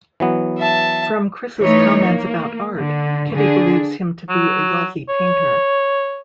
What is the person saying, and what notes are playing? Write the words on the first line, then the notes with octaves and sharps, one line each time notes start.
From Chris's comments about art, Kitty believes him to be a wealthy painter.
E3 F#3 B3
E5 A5
E3 A3 D#4 C#5
A#3
D3
D3 D4 G#4
F#3
C#5